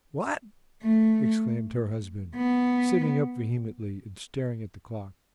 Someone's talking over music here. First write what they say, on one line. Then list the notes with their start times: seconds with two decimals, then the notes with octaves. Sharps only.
"What!" exclaimed her husband, sitting up vehemently and staring at the clock.
0.82 A3
2.36 B3